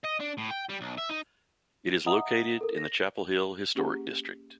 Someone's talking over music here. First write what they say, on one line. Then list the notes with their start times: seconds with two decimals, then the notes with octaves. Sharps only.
It is located in the Chapel Hill Historic District.
0.05 D#5
0.20 D4
0.38 A2
0.51 G5
0.69 G3
0.81 B1
0.98 E5
1.09 D#4
2.06 D#5 E5 F#5 A#5 D#6
2.61 A4 A#4
2.77 A#6
3.75 A#3 C#4 G4 G#4 F#5 A#5